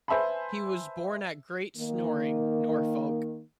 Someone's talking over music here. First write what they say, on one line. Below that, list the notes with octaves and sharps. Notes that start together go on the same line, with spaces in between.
He was born at Great Snoring, Norfolk.
B4 C5 E5 G#5 A5 B5
D#3 A#3